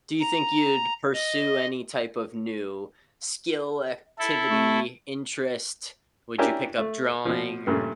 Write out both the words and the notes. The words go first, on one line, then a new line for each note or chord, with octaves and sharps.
Do you think you'd pursue any type of new skill, activity, interest? Would you pick up drawing, or
A#5
D#5
E4 A4
A3
C#4 D4 E4 G4 A#4
A3
B2 F3
G2 A#2 C#3 A3